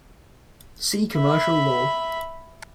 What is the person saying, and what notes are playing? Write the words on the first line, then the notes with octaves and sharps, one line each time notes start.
See commercial law.
E5 B5